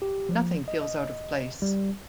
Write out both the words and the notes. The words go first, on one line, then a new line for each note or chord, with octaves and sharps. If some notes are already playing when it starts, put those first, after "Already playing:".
Nothing feels out of place.
G4
F3
D#5
D#5
G3